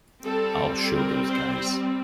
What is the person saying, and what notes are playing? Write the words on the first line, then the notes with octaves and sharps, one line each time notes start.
I'll show those guys.
G3 C4 A4
A#4
C5